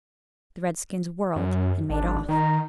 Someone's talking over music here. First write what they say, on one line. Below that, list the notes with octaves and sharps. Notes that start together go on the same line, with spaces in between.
The redskins whirled and made off.
F#2
G#1 D4
D#3 A#5